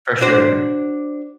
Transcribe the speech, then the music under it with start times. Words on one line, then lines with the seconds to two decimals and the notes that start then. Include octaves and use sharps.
For sure.
0.21 D4 F#4 C5